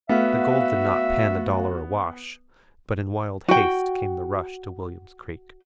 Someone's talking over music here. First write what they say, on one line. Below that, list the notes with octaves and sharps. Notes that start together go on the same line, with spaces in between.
The gold did not pan a dollar a wash; but in wild haste came the rush to William's Creek.
A3 B3 F#4 E5 F5
F#4 G5